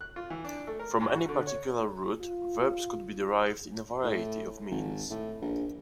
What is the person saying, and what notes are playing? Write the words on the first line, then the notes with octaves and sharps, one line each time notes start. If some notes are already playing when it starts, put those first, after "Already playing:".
From any particular root, verbs could be derived in a variety of means.
F#6
F4
E3
D4
A3
A#4
G#2
F#4
D3
C#5
F4
A2
G#1
A2
A#1